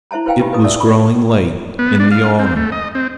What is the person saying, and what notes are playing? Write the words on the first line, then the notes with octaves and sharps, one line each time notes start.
It was growing late in the autumn.
E4 C5 E5 A5 A#5
E4 B4 C5 F5 G5 G#5
D#4 F4 G4 B4
B4 D#5 D#6
D5 E5 A5 D#6 E6
B5
B3
D4
F5
C4
A3
D#5
C4